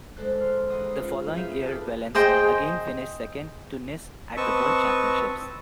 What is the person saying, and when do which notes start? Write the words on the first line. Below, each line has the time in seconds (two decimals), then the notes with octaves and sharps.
The following year Wellens again finished second to Nys at the World Championships.
0.17 D3 G#3 A4 C5 F#6
0.40 C6 F6
0.69 G#2 E3 F#5 C6 D#6 E6
0.92 C#4 F4
1.34 E3 G#4 E5 F5 G6
1.64 G4 A4 B4 A5 D#6 F6
2.15 G#4 C5 D#5 G5
4.37 C4 B4 D#5 A5 C#6 E6